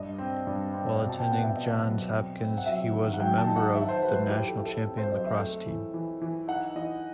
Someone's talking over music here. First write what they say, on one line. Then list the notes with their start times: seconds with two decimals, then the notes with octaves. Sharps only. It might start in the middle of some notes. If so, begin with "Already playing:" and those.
While attending Johns Hopkins he was a member of the National Champion lacrosse team.
Already playing: G2 D#5
0.18 C4
0.47 G2
0.74 C4
1.01 B2
1.09 A5
1.20 G5
1.29 B3 F#5
1.43 E5
1.56 B2 D#5
1.83 F#3
2.10 C4
2.38 C4
2.58 F#5
2.65 F#3 E5
2.92 D#3
3.14 F#5
3.19 F#3 G5
3.38 A5
3.48 D#4
3.56 F#5
3.74 D#4 E5
3.89 C5
4.02 F#3 B4
4.15 C5
4.29 E4 G4
4.48 A4
4.56 E4
4.66 A4
4.85 C4
4.98 C5
5.11 F#3 D#5
5.26 E5
5.39 A3
5.66 E3
5.94 E3
6.21 E3
6.48 D#4 F#5
6.76 E3 D#5